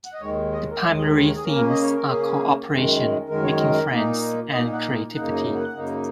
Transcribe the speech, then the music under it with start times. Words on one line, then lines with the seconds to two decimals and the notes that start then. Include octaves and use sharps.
The primary themes are cooperation, making friends, and creativity.
0.06 F#5
0.14 D#5
0.21 D#2 D#3 G#3 C#5
0.52 D#5
0.71 A#4
0.83 D#2 D#3 G#3 C#5
0.97 G#4
1.04 A#4
1.24 C#5
1.36 G#4
1.44 C#3 A#3 C#4 A#4
1.70 D#5
1.82 C#5
1.94 A#4
2.05 C#3 A#3 C#4 G#4
2.68 F#2 D#3 G#3
3.29 F#2 D#3 G#3 A#4
3.43 C#5
3.56 A#4
3.91 A#2 A#3 D#4
4.52 A#2 A#3 D#4 D#5
4.73 F#5
5.14 F#2 C#3 A#3 D#4 F#5
5.34 D#5
5.55 F#5
5.75 F#2 C#3 A#3 D#4